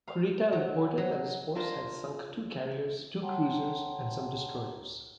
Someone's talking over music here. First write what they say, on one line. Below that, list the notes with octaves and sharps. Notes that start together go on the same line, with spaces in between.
Kurita reported that his force had sunk two carriers, two cruisers, and some destroyers.
F5
F#3
F#3
D4 F4 A#4 C5
C#5 F#5 G5 A5 A#5 C6